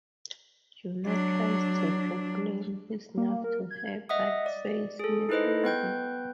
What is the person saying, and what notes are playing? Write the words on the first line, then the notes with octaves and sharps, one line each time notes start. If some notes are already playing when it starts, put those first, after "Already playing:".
Junior tries to proclaim his love to her, but fails miserably.
F#3 D4
A#3
A#4
G#6
D#5 E5 F#5 D#6
D5
G#4 A4
D#4 E4 A4 B4 C5 D#5
B3 B4 G5 G6